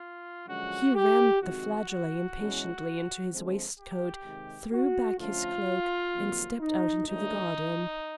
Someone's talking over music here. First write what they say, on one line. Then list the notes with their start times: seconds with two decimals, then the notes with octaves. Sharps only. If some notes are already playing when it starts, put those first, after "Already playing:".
He rammed the flageolet impatiently into his waistcoat, threw back his cloak, and stepped out into the garden.
Already playing: F4
0.47 F#2 D3 F3 G#3 C#4 F#4
0.93 G4
1.41 F2 C3 D#3 G#3 C4 F#4
1.88 F#4
2.35 E2 B2 G#3 C#4
3.30 D3 F3 G#3 C4
3.77 G4
4.24 C3 D#3 G#3
4.71 F#4
5.18 D3 F3 A3 C#4 F4
6.12 F2 C3 D#3 F#3 A#3
6.60 D#4
7.07 G#2 D#3 F#3 A3 D4 D#4